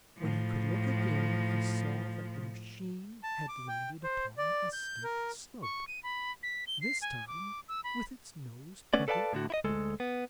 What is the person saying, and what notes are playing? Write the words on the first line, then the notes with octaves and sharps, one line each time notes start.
When he could look again, he saw that the machine had landed upon a steep slope, this time with its nose pointing upward.
A2 F3
A5
D6
G5
C5
D5
G6
A#4
C#6
D#7
B5
B6
G7
C7
G#5
D6
E6
B5
A3 B3 C#4 D5
A4 B4 D5 F5 G#5 A5
A2 D3 F#4
E4 D#5
D2 G#3 A4
B3